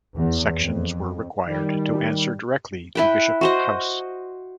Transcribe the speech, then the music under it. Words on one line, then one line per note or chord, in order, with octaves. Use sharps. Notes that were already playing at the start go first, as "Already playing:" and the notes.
Sections were required to answer directly to Bishop House.
E2
F2
D#3 G3
E4 B4 G5
F#4 C5 D#5